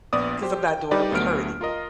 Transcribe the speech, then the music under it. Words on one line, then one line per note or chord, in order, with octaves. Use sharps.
'cause I'm not doing it with her anymore,
A#1 B3 D5 D#6
G4 C5
G5
G3 D#4 G4 B4 D5
D2 F#3 A3 B3 F6 D7
F4 A#4 D#5